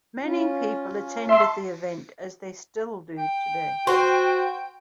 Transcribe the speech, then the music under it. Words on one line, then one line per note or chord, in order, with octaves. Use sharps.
Many people attended the event, as they still do today.
C#4 F4
E5 A5 C6
G5
F#4 C5